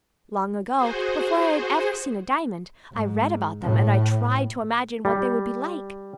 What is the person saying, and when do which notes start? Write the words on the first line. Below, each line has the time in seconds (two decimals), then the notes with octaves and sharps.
Long ago, before I had ever seen a diamond, I read about them and I tried to imagine what they would be like.
0.76 F#4 G#4 C5
2.93 G#2
3.61 A2
5.05 G3